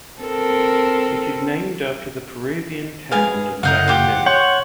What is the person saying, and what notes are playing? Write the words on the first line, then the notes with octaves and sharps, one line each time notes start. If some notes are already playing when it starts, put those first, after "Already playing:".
It is named after the Peruvian town of Zarumilla.
C4 A4 A#4
G#3 G#4 B4 F5 G#5
F#2 C#3 A#4 D#5 F5 F#5 G6
F4 G4
C#5 F#5 C6 C#6 G6